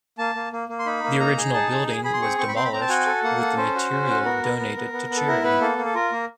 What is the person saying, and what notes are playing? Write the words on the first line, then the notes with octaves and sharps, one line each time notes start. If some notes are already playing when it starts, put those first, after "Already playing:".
The original building was demolished, with the material donated to charity.
A#3 A5
A#3
A#3
A#3
C6
D#4 B5
A#3
D#4 A#5
G#4
D#4 A5
G#4
G#4 G#5
G#4 B5
C6
C4 C#6
C4 C#6
B5
C4 C6
B5
C4 A#5
A5
F#4 G#5
A4
A#3 F#5
A4
C#4 C5
F#4
C#4
F#4
B3 A#4
B3
B3
B3
B3
B3
A4
E4 A#4
B3 B4
A#3 A4
A#3
A4
F4 A#4
A#3